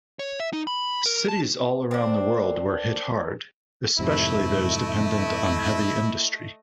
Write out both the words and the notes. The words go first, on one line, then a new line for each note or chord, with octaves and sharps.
Cities all around the world were hit hard, especially those dependent on heavy industry.
C#5
E5
D#4
B5
A#4
A5
C4 D4
F2 G#2 C3 A3 E4 D#5